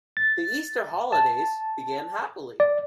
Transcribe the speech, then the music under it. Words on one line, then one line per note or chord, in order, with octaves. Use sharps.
The Easter holidays began happily.
A6
A5
D5